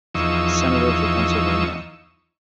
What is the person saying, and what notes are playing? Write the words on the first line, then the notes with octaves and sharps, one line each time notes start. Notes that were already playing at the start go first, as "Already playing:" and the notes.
Senator for Pennsylvania.
E2 F3 D#4 C#6 E6